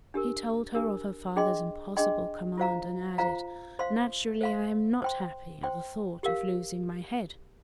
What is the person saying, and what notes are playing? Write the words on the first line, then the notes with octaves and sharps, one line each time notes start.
He told her of her father's impossible command and added, "Naturally, I am not happy at the thought of losing my head."
D4 G4 A#4
D4 G4 A#4
D4 G#4 D#5 G5 C6
D4 G#4 D#5 G5 C6
F4 C5 F5 A#5
F4 C5 F5 A#5
C5 F5 C6
C5 F5 C6
C5 G5 C6
C5 G5 C6
G4 A#4 F5